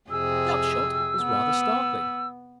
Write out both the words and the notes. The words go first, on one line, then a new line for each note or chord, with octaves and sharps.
The upshot was rather startling.
F2 C3 G#4 E6
B3